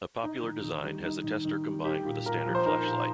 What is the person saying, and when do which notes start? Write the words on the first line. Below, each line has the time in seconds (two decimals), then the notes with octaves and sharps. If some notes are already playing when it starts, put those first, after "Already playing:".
A popular design has the tester combined with a standard flashlight.
0.23 D#4
0.43 D#3
0.64 D#3
0.83 G3
1.04 D#4
1.24 D#3
1.45 D#3
1.65 G3
1.85 D#4 G4
2.05 A#2
2.26 A#2 A#4
2.46 F3
2.55 C5
2.65 D#4 A#4
2.87 A#2